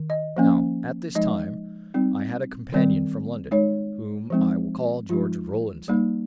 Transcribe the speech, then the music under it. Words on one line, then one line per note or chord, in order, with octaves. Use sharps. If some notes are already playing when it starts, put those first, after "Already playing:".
Now, at this time I had a companion from London, whom I will call George Rollinson.
Already playing: D#3
D#5
F3 A#3 C#4
F3 G#3 D#4 D#5
G3 C4 D#4
D#3 G3 C4
G#3 D#4 C#5
F3 G#3 C4 D#4
F3 G#3 D#4 F4
G3 A#3 D#4